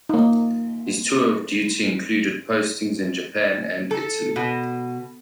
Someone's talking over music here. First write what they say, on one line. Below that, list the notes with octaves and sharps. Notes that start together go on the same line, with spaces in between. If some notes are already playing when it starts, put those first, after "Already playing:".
His tour of duty included postings in Japan and Italy.
A#3 D#4
A4
B2